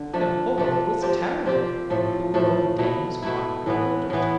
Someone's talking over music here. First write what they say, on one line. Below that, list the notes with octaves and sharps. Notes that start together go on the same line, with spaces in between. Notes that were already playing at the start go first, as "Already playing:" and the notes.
The hubbub was terrible, and the poor old dame was quite bewildered.
Already playing: D3
F3 A3 D4
F3 A3 D4
F3 C4 G4
F3 C4 G4
A2 F3 A3
A2 F3 A3
B2 A3 E4
B2 A3 E4
A2 E3 B3
A2 E3 B3